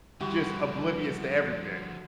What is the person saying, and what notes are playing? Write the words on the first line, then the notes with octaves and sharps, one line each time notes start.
just oblivious to everything.
D2 D3 F3 G3 E4 F#4 G4